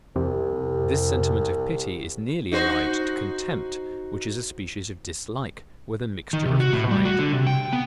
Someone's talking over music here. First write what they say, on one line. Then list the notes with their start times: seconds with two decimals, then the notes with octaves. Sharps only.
This sentiment of pity is nearly allied to contempt, which is a species of dislike, with a mixture of pride.
0.16 C2 F2 C3
2.52 D#4 F#4 C5
6.33 D#3
6.46 C3
6.60 F#4
6.73 A2
6.91 G3
7.05 F#4
7.19 D3
7.32 C3
7.47 G5
7.73 B3